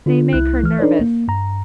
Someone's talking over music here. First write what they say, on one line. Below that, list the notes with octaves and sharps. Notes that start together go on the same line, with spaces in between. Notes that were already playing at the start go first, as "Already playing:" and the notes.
They make her nervous.
D3 D4 F4
C2 E4 F#6
E3 F6
D4 D#4 A4 B4 C#5 D5
A#3
G2 A#5